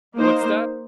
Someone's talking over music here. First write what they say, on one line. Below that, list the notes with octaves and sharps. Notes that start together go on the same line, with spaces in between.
"What's that?"
A#3 D#4 C5